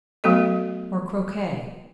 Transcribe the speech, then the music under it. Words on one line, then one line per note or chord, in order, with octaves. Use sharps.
Or croquet?
F#3 A3 B3 F#4 A4 D#5